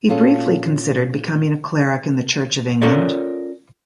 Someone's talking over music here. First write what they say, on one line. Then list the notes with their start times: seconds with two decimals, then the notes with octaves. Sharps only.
He briefly considered becoming a cleric in the Church of England.
0.09 A#2 C#4 F4 F#4 G#4 A4
2.82 C#4 F4 A4 A#4 C#5 D5